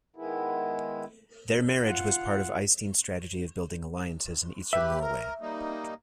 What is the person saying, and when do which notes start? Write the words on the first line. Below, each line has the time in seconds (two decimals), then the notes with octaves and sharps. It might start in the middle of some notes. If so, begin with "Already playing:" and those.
Their marriage was part of Eystein's strategy of building alliances in Eastern Norway.
0.16 D#3 G#3 B3 E4
1.83 F4 F#5
4.73 G4 B4 E5
5.01 A#4
5.41 G3 A#3 D#4